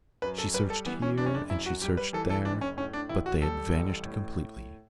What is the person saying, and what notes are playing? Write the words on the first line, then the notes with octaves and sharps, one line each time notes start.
She searched here and she searched there, but they had vanished completely!
F#2 B4
A4
G3 B4
A4
E3 B3
C#4
F#1 D4
C#4
D4
F#2 E4
F#4
G3 G4
B4
E3 A4
A4
F#1 D4
C#4
A2 C#4
D4
A1 E4
F#4
G3 A4
A1
A2